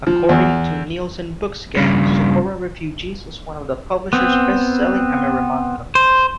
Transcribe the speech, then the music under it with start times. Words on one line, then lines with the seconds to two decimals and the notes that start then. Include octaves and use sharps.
According to Nielsen BookScan, "Sokora Refugees" is one of the publisher's best-selling amerimanga.
0.07 F3
0.29 E2
1.77 G2 C#3
4.13 B3 C4
5.95 C5